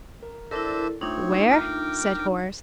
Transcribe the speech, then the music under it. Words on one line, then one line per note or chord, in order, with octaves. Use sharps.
"Where?" said Horace.
A#4
D4 E4 A4 A#4 C5 D5 E5 A6
A3 C4 D4 D#4 F4 C#5
A#4 G5 D6